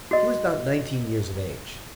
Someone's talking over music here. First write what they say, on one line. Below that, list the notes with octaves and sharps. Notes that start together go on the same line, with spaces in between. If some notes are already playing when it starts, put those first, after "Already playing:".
He was about nineteen years of age.
F#4 D#5